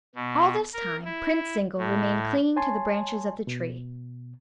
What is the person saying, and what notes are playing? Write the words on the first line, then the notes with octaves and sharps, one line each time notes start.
All this time Prince Zingle remained clinging to the branches of the tree.
B2
A#4
E4
A2
C#5 G#5 A5 C6
B2